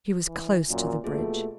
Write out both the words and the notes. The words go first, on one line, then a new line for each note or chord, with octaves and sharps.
She was close to the bridge.
E3
F#2 A#2
B2 A3 A#3 F4 G#4